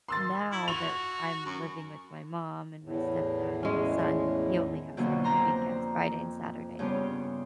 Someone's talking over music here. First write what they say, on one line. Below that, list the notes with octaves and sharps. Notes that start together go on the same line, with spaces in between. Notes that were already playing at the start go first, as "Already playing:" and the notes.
now that I'm living with my mom and my stepdad and my son, and he only has him on the weekends- Friday and Saturday.
C6 E6 A6
E4
F#4 F7
F#2
E2 A2
G#3 C#4
F2 B2 D3 F#3 A#3
F2 C3 A#5 C6
G2 C#3 B3 C6